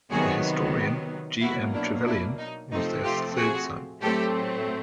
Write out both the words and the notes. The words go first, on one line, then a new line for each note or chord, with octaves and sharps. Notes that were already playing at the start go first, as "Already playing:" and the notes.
The historian G. M. Trevelyan was their third son.
C3 D#3 F#3 B3 F#4 G#4
B2 F#3 A#3 E4 F#4
D4 E4
D4 E4
D#4
C3 F3 A3 C4 D#4
F4 G4
F#4 G#4
A2 F#3 A3 C4 G4 A4